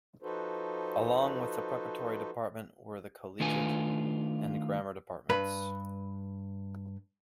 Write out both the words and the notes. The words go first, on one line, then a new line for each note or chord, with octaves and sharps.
Along with the Preparatory department were the Collegiate and Grammar departments.
F3 D#4 F#4 A4 B4 C5
D#3 A3 D4 F4 B4 G#5
G2 B4 B5